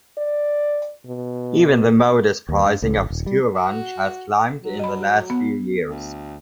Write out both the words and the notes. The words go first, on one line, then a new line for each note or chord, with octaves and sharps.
Even the modest pricing of school lunch has climbed in the last few years.
D5
B2
D#2
G2
C#2
G#1
D#1
G3
F#4
F#3
D#5 B5
B3
D2